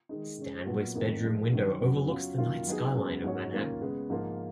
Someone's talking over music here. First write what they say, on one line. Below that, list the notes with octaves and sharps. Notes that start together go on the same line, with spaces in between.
Stanwyck's bedroom window overlooks the night skyline of Manhattan.
D#3 G#3 D#4
C#3 G#3 C#4
A#2 F#3 B3 F#4
F2 D#3 A#3
A#2 F3 G#3 D#4
F#2 D#3 F#3
F#2 C#3 F#3 B3
F#3 C#4 F4
F#2 D#3 A#3 F4 A#4
F#3 B3 D#4 G#4
F#2 C#3 G#3 B3
G#2 F#3 C#4 G#4 C#5
D#3 A#3 C#4 F4
C#3 G#3 B3
G#2 F3 A#3 F4